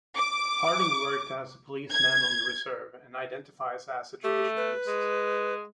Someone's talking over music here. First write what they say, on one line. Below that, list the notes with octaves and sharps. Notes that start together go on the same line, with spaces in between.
Harding worked as a policeman on the reserve and identifies as a traditionalist.
D6
G#6
A3 G4
B4
G#3